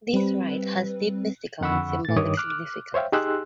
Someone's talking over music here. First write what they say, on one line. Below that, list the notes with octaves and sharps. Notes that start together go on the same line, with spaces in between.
This rite has deep mystical and symbolic significance.
G3 C4 B4
F2 D3 F#5 B5 C#6 E6
A2 A6
G2 D#3 C#5 D6 D#6
D6 F6 F#6
C5 C#5 E5 F5 G5
D#4 G4 G#4 C6 E6 F#6